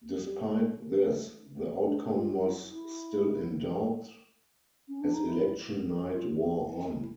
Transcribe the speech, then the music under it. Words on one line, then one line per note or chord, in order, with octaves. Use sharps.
Despite this, the outcome was still in doubt as election night wore on.
G3
A3
D4
F4
E4
E4
C#4
D4
D#4
E4
F4
E4
E4
E4